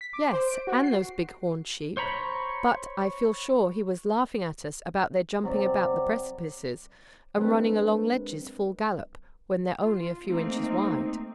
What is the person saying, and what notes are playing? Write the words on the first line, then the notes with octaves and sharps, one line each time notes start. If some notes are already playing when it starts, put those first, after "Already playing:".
"Yes, and those big horned sheep; but I feel sure he was laughing at us about their jumping about the precipices, and running along ledges full gallop when they're only a few inches wide."
B6
D6
C5
D7
F#4
C7
C5 C#5 A#5 B5
C3 F#3 D5
F#3 G#3 C4 D4 A#4 B4
F4
A3 A#3 C4 D#4